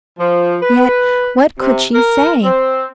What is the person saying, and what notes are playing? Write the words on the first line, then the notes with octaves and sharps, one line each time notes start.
Yet what could she say!
F3
B4
C3
A#4
C4